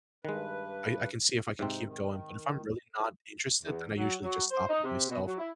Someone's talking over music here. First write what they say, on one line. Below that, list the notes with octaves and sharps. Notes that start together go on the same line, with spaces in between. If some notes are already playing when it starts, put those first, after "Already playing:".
I I can see if I can keep going, but if I'm really not interested, then I usually just stop it myself,
G2 D#3 G#3 B4
G#2 C3 C4 D#4
D#3
E2
F#3
F#3
C5
D#4
C3
B2
F#3
E4